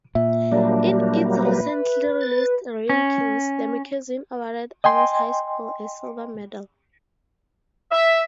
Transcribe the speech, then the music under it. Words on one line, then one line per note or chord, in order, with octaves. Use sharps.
In its recently released rankings, the magazine awarded Ames High School a silver medal.
A#2 E5
F#3 G3 A#3 D4
B4
A6
C#4
D#5 G5 G#5 C6
E5